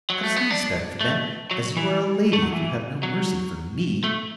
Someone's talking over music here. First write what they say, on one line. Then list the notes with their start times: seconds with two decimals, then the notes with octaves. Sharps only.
Have some respect for them, as you are a lady, if you have no mercy for me.'
0.10 F#3
0.23 A3
0.36 B3
0.50 D4
1.01 A3
1.51 F#3
1.77 E3
2.33 A3
2.42 F#3
2.52 E3
3.03 F#3
4.04 A3